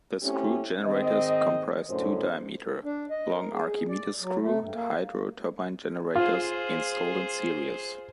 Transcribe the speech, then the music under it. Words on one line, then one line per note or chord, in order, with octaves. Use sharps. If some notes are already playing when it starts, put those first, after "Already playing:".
The screw generators comprise two diameter, long Archimedes' screw hydro-turbine generators installed in series.
A3 C4 C#4 E4 G4
G#2 D#3 C4 D#5
F#2 A2 D3 C5
D4
D#5
A#4
G#4
D5
F#3
A3
G2
A#3
F4 G#4 C5